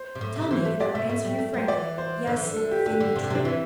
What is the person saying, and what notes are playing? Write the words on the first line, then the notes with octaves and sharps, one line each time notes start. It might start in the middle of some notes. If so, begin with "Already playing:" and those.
"Tell me, and I will answer you frankly, yes, if the thing be true."
Already playing: C5
C3
A2
C3
E3 C5
A3
G3 D5
C3 E5
A2 E5
G3
A3
G3 C5
E3 D5
C5
D3
E3
D3
A4
G4
D3 G4
D3
C3
D3
C3 D4
E3 E4